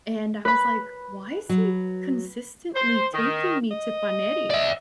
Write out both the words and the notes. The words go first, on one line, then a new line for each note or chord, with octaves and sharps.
and I was like, "Why is he consistently taking me to Paneri?"
B4 B5
F#3
C5
D#3
D#5
D5 E5